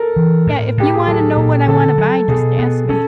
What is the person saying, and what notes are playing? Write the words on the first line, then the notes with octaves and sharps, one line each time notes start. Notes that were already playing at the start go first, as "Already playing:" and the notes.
Yeah, if you wanna know what I wanna buy, just ask me.
Already playing: A4 A#4
E3
A2
A2 G4
G#4
F#3 A4
A#2
D3 A4
F#3 A4
B2 G#4
B3
C#4 A4